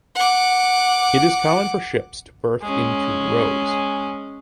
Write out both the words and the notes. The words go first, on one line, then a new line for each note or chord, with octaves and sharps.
It is common for ships to berth in two rows.
F#5 D6
G#3 C#4